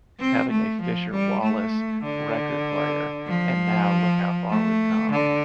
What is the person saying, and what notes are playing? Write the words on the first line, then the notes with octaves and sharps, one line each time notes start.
having a Fisher Wallace record player, and now look how far we've come.
C4
A3
F3
G3
A3
D3
F3
A3
D3